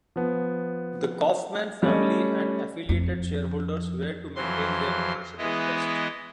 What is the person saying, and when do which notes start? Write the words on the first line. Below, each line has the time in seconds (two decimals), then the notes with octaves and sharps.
The Koffman family and affiliated shareholders were to maintain their ownership interest.
0.16 F3 B3
1.83 G3 A3 C#4 C#5 D#5
2.89 F2
4.35 F2 E3 F#3 C6
5.38 E3 G#3 B3 E4 D#5